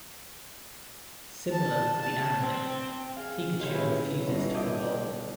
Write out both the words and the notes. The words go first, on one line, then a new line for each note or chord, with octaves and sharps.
Similar to the anime, Pikachu refuses to evolve.
A5
A5
C4
G#4 F5
B1 D#3 G4 C6 G#6
C#4 E4 G#4 B4
G1
D#5 E5 G5 A5 D6 G#6